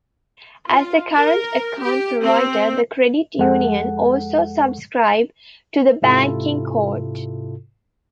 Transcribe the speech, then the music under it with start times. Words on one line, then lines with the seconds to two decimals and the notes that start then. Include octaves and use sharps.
As a current account provider, the credit union also subscribes to the Banking Code.
0.68 F4
1.14 A#4
1.82 G4
2.23 C4
3.39 F2 G#3 A4 F#5
6.02 G#2 C3 E4 F4 A4